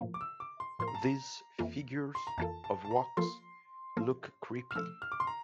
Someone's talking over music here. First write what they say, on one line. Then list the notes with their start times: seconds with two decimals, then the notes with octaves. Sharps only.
These figures of wax look creepy.
0.01 A2 F3 A#3
0.14 D6
0.21 E6
0.40 D6
0.60 C6
0.79 A2 F3 A#3 C6
0.88 A#5
0.95 A5
1.02 A#5
1.58 F2 E3 A#3 F4 A4
2.15 C6
2.27 A#5
2.38 F2 E3 A#3 F4 A4 A5
2.64 A5
2.85 A5
2.91 A#5
3.17 F3 A#3 F4 A4 C6
3.97 F3 A#3 F4 A4
4.71 F6
4.75 F3 A3 D4 A4 E6
5.02 F6
5.12 D6
5.20 C6
5.27 A#5